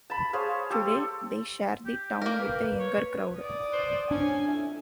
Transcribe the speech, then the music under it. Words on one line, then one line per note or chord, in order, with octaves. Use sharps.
Today, they share the town with a younger crowd.
A5 B5
G#4 C5 C#5 F5
G4 A4 C6
G4
A#3 A#4
B4
C#5
D5 D#6
B4 C5
C#4 D4 G#5
F2 A3 E4